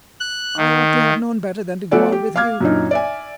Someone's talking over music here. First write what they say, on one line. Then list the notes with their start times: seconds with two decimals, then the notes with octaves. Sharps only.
I ought to have known better than to go out with you.
0.20 F#6
0.57 D#3
1.91 A3 B3 F#4 A4 D5 G#5
2.12 G4
2.36 F5 D6 F6 G#6
2.61 F#2 A#2 D4 D#4
2.91 D5 E5 G#5